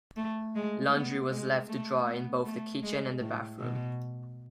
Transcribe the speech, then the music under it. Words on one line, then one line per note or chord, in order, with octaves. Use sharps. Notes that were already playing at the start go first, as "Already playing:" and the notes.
Laundry was left to dry in both the kitchen and the bathroom.
A3
G#3
B3
G#3
A3
B3
A3
G#3
A2
B2